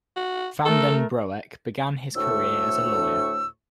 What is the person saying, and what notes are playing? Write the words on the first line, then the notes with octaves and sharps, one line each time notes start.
Van den Broek began his career as a lawyer.
F#4
A3 A4 A#4
D2 A2 A3 D4 C#6 E6